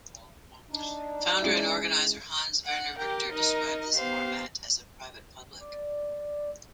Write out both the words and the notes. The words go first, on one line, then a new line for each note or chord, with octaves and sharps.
Founder and organizer Hans Werner Richter described this format as a "private public".
D4 D#4
G#3 C#4 E4
F#5
G4 A#4 G5
D#4 A#4 D#5
B3 G4 C5 F5
D5